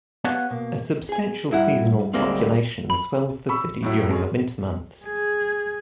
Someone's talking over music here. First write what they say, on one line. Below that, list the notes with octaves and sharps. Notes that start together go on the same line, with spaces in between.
A substantial seasonal population swells the city during the winter months.
B3 G4 B4 C#5 F5 F#5
B2 A#3
G#4 G#5
G2 E4 F#5 A#5
D2 E3 G3 G#3 A#3 C4
B5
B5 C#6 E6
A2 F#3 E4
F#2 F#3 G#3 C#4
G#4